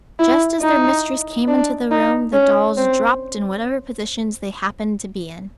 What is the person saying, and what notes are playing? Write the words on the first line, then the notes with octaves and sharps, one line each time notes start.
Just as their mistress came into the room the dolls dropped in whatever positions they happened to be in.
E4
D#4
D4
D#4
C#4
C4